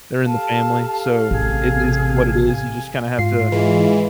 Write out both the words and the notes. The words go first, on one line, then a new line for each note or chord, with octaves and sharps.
they’re in the family, so it is what it is, you just kinda have to
G4 A4 F5 A5
A1 C3 G#4
G#5
G#2 F4 C7
E3 G#3